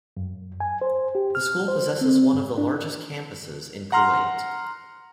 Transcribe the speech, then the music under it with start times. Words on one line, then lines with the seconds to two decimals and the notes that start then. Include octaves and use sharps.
The school possesses one of the largest campuses in Kuwait.
0.17 F#2
0.60 G#5
0.81 C5
1.15 G4
1.35 F6
1.68 C5
2.01 C4
2.33 G#2
2.58 D4
3.92 F#5 A#5 C6 F6